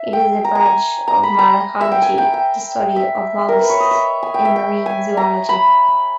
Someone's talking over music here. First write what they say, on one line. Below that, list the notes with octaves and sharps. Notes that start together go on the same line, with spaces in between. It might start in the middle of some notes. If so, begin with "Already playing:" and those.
It is a branch of Malacology, the study of molluscs, in marine zoology.
Already playing: E5
G5
A#5
A#5
G#5
A#5
B5
A#5
E5
G5
G#5
G5
G5
E5
A#4
B4
C#5
D#5
E5
G#5
G5
E5
G5
G#5
A#5
B5